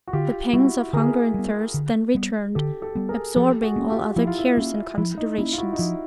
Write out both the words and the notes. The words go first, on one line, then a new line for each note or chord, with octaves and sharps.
The pangs of hunger and thirst then returned, absorbing all other cares and considerations.
F#4
D3 F4 G4
G3 B3 E4 F#4
D3 G#4 A#4
G3 B3
D3
G3 B3
D3 G4 A4
G4 A4
G3 B3
G#4 A#4
F3 G4 A4
F#4 G#4
A#3 C#4
F4 G4
F3 E4
F4
E4
A#3 C#4 E4
F3 E4
D#4
A#3 C#4 E4
F4
E4 F#4
D#4
F3 E4